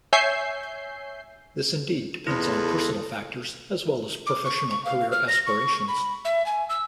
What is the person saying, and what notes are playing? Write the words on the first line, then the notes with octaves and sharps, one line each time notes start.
This indeed depends on personal factors as well as professional career aspirations.
C#5 E5 G#5 G6 C7
E2 E4 F4 A4 B4 D#5
D6
C#6
C#6
F5
F6
A#6
C#6
B5
E5
G#5
E6